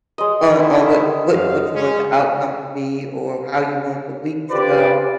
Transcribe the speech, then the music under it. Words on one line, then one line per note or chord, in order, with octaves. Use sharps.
on on what what what you want the outcome to be or how you want the week to go,
G#3 D#5
D#3 E4
F#2 F5
G#3 C#4
D4 F4 G4 B4 C5 D5